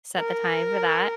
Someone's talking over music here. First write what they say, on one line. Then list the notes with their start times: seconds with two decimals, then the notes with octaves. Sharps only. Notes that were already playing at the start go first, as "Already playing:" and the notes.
set the time for that,
0.18 A#4